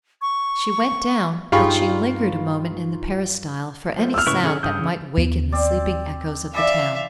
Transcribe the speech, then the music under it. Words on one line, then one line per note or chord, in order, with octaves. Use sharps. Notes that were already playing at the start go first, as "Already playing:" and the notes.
She went down, but she lingered a moment in the peristyle for any sound that might waken the sleeping echoes of the town.
C#6
G2 D#4 F4 G4 G#4 F5 B5 C#6
F3 A3
E6 F6
A2 C#3 E4 B4 C#6
C#4 G#4 A4
G2 C#3 D#6 G6
D#2 B3
C4 D5
E3 D5 E5 F5